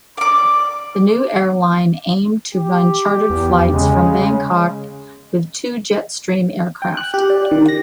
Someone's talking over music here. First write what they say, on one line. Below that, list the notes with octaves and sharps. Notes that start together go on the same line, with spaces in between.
The new airline aimed to run chartered flights from Bangkok with two Jetstream aircraft.
D5 D6
G4
E2
C#3 G#3
G5
F#6
G4
D5
D#3
A#6